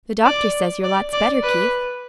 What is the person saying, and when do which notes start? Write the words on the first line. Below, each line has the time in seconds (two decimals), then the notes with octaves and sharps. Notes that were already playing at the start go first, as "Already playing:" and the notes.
"The doctor says you're lots better, Keith."
0.25 D5
0.84 D5
1.13 D5
1.43 B4